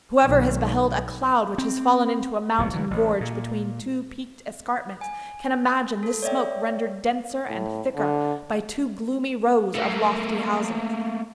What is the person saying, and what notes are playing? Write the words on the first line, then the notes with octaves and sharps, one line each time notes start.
Whoever has beheld a cloud which has fallen into a mountain gorge between two peaked escarpments can imagine this smoke rendered denser and thicker by two gloomy rows of lofty houses.
B1 D#3
C4
D1 B1 B2
D3 E3 F#3
A1
A#2
G#5
A4
C#5 D5 E5 G5
A2
D3
A3 A#3